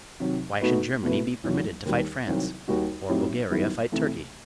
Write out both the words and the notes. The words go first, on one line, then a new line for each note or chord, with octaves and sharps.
Why should Germany be permitted to fight France, or Bulgaria fight Turkey?
C3 D#3 F#3
B2 A3 D#4 F#4 B4
B2 A3 E4 B4
E2 D#3 F#3
D#2 D#3 G3
C2 C3 D#3 F#3 C4
D#2 D#3 G3 D#4 F#4
A2 F#3 C4 D#4 G4
F#2 D#3 G3 B3 E4
C3 E3 A3